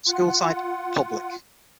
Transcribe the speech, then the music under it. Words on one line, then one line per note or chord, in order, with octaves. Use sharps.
School type: Public.
F4 F#5